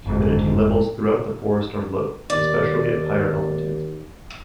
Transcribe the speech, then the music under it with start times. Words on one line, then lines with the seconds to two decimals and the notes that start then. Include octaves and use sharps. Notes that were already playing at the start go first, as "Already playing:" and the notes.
Humidity levels throughout the forest are low, especially at higher altitudes.
0.05 G1 F2 G#2
2.30 D#2 D5